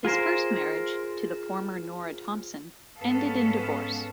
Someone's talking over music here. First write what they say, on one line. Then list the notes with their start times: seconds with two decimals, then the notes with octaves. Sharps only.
His first marriage, to the former Norah Thompson, ended in divorce.
0.05 F4 G#4 A#4 C5
2.98 G#2 B3 C#4 A4 B4 F5